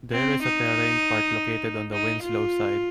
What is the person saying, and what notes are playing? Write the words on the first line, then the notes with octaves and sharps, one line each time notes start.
There is a terrain park located on the Winslow side.
C4
D#4
D#4
F4